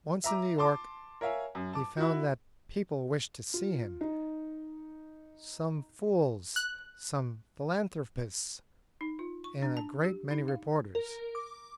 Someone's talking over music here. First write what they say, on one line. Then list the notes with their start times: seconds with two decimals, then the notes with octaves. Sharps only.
Once in New York, he found that people wished to see him, some fools, some philanthropists, and a great many reporters.
0.24 E5 A#5 D6
0.58 A5 C6 D6
1.21 A#4 C#5 E5 F5 G#5
1.55 F#2
1.73 A5 D6
1.97 E4 F#4
3.54 F4
4.01 D#4
6.56 F#6
9.01 D#4
9.19 F4
9.44 C#6
9.62 D4
9.77 A5
10.04 G4
10.31 D#4
10.48 F5
10.95 A#4
11.35 D6